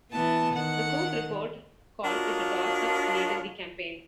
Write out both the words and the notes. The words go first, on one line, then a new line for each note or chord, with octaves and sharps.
The Cook Report called it a toss-up late in the campaign.
E3 B3 A5
D#3 F#5
D4 F4 F#4 A#4 C#5 D#5